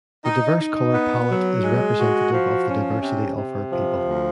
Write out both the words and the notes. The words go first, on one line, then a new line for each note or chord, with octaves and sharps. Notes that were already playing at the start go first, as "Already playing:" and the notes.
The diverse colour palette is representative of the diversity of our people.
D#4
D#4
B3
F#3
G#3
F#4
F3
C#4
C3
C3
F3
D2